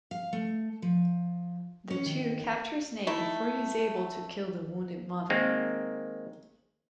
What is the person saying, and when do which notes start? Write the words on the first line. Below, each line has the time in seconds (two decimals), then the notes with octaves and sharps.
The two capture Snake before he is able to kill the wounded Mother.
0.11 F5
0.33 A3
0.82 F3
1.90 C#4
2.06 D#3
3.07 A3 D#4 E4
5.30 D#3 G#3 A#3 C4